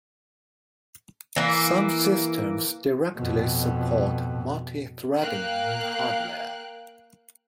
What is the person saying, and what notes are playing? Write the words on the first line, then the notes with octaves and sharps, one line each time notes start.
Some systems directly support multithreading in hardware.
E3 A#3
F2 B2
A#3 F5 G5 F#6